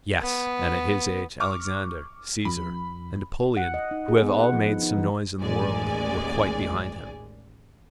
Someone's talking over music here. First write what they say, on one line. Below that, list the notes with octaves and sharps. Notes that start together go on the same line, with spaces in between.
"Yes, and at his age, Alexander, Caesar, and Napoleon, who have all made some noise in the world, were quite behind him."
B3
C#6 D6 F6
F2 B5
F#5
D#5
D#4
G#4
B3
F#5
F3
D#4
D#4
E3
A1 D#2 G#3 D5 G#5